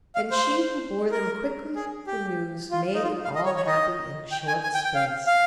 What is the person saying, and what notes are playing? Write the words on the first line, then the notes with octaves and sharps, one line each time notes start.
And she who bore them quickly the news made them all happy in a short space.
F5
C5
A#4
G#4
G4
F4
D#4
F4
F5
D#5
C#5
C#5
D#5
G5
G#5
G#5
G5
G5
F5
F5